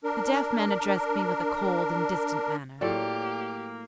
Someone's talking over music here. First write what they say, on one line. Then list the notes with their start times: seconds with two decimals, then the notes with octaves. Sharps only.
The deaf man addressed me with a cold and distant manner.
0.04 D4 A#4
2.81 A2 F#3 A#3 F4 G4 A4 D5